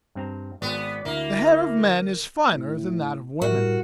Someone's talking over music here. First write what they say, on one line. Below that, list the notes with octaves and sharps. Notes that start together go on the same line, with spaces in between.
The hair of men is finer than that of women.
G2 C4 A#5
G#1 B3 D5 G5
D2 A#3 E4
A2
A2 G3 F#4 A#4